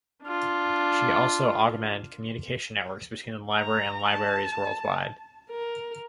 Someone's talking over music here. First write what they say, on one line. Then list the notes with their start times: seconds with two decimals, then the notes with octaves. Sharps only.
She also augmented communication networks between the library and libraries worldwide.
0.23 D4 F4
3.55 A#5
4.07 A5
5.50 A#4